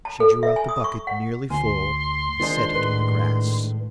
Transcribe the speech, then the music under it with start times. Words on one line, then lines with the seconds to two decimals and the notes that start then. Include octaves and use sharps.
She drew out the bucket nearly full, and set it on the grass.
0.05 A5
0.20 A4
0.43 E5
0.56 G#5
0.69 D#6
0.84 C#6
1.07 F#5
1.50 D2 G#5 C6
2.40 D#3 G#3 D4 F4 G#4 C5
2.75 A2 B4